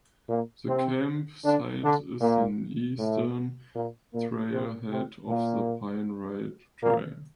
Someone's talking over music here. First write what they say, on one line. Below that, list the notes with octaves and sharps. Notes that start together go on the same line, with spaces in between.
The camp site is the eastern trail head of the Pine Ridge Trail.
A#2 A#3
C3 C4
D3 D4
D3 D4
A#2 A#3
A2 A3
A#2 A#3
A#2 A#3
C3 C4
C3 C4
A#2 A#3
A#2 A#3